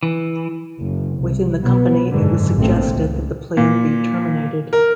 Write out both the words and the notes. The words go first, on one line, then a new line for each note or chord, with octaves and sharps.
Within the company, it was suggested that the plan be terminated.
E3
F#1
C2
B2 B3
F#1 G#2 D3
A1 A#2 A3 C4
C#2
A#2
A#4